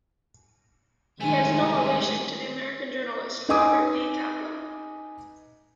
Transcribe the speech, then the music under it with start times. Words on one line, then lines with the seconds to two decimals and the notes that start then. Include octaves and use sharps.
He has no relation to the American journalist Robert D. Kaplan.
1.20 C3 D#3 G#3 A3 G#5
3.49 D#4 B4 D#5 G#5 D6 D#6